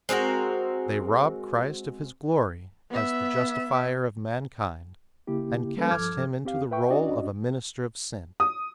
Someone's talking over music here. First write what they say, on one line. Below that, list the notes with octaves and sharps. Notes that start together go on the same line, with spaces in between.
They rob Christ of His glory as the Justifier of mankind and cast Him into the role of a minister of sin.
G#3 C4 F#4 A#4
B3 E5
C#3 A#3 E4 G4
G3 A#3 C#4 A4 B4
G2 F3 A4 D6 F6 G#6
E2 C4 G4 F5
B4 E5 G5 C#6
C#4 D4 F#4 D5 D#5
D#6